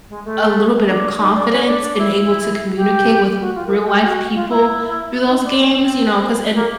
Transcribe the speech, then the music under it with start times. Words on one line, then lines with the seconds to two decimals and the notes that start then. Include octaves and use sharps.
a little bit of confidence, and able to communicate with real life people through those games, you know, 'cause and
0.09 G#3
0.25 A3
0.88 D4
1.19 D#4
1.35 D4
1.51 C#4
1.66 D4
1.82 D4
1.98 E4
2.76 G4
3.40 F#4
3.55 F4
3.67 A#4
3.71 A4
3.86 G4
4.02 F#4
4.34 F4
4.50 E4
5.28 D#4
5.44 D4
5.60 C#4
5.75 C4
6.54 A#3